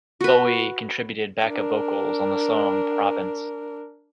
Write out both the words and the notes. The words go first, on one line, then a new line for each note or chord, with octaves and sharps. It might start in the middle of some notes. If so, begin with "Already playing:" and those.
Bowie contributed back-up vocals on the song "Province".
F#4 B4
D4 A#4